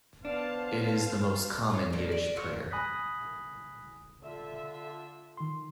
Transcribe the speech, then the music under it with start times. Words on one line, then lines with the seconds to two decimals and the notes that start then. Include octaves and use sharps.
It is the most common Yiddish prayer.
0.25 B3 D4 C5 F5 A5
1.70 F4 G#4 C#5
1.93 A#2 G3 A#3 A4
2.12 D5
2.36 F#3 D4 F4 F#4
2.71 G#5 B5 D#6 F#6 A#6 B6
4.21 D3 F4 E5
5.37 D#3 C6